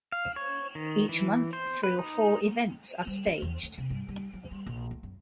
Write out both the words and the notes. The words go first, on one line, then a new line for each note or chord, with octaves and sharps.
Each month, three or four events are staged.
F5
C#5
D#3
E3
C5
B4
D#4
G3
C#4
E2
D2
C3
G2
G3
F#3
G3
A#1
D2
F#2